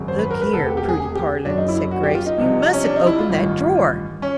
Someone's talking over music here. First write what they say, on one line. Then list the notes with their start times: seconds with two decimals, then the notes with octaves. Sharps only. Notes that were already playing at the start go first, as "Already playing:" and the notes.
"Look here, Prudy Parlin," said Grace, "you mustn't open that drawer."
Already playing: G#1 F#2 C#3
0.08 C5
0.19 B4
0.31 A#4
0.42 B4
0.53 E1 D2 C3 A4
0.66 G4
0.77 G4
0.89 G#4
1.00 G#4
1.15 G4
1.45 F#1 F#2 C#3 F#3 D4
1.57 D#4
1.69 E4
1.91 F#4
2.03 G4
2.15 F4
2.26 D#4
2.38 C2 C3 F3
2.73 C#4
2.84 D4
2.96 D#4
3.07 E4
3.19 F4
3.30 A1 G2 D#3
4.22 C#4